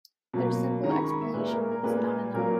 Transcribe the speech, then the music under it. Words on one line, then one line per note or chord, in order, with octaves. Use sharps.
Their simple explanation is not enough.
B2 F#3 A#3
D#3 G#3 A#5
C#6
B5
C#6
E5
A#2 G#3 B4
A#4
A#4
A#4
A#2 G#3 B4
A#2 F#3 A#3 A#4